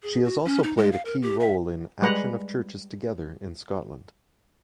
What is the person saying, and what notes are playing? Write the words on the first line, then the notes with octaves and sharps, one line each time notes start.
She has also played a key role in Action of Churches Together in Scotland.
G#4
F#4
C#4
D#4
G#3
F5
A#4
G4
E5
G3 G#3 B4 F#5 A#5